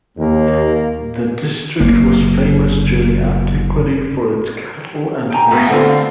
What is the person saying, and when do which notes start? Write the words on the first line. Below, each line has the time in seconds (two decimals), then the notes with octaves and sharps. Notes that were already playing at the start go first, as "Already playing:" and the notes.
The district was famous during antiquity for its cattle and horses.
0.17 D#2 A#3
1.80 F#1 A#3
5.30 G5 G#5 A#5
5.51 C#2 B2 B3 E5
5.69 D3 A3 C4 F4
5.88 F5